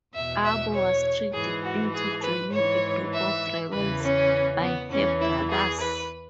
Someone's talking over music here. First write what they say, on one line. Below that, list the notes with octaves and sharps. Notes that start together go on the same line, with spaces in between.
Abo was tricked into joining a group of rebels by her brothers.
E2 B2 E5
E5
C#5
G#2 E3 G#4
F#4
G#4
B4
G#2 E3 C#5
E5
E2 C#3 E3 B4
C#4
B3
E2 E3 C#4
E4
G#4
B4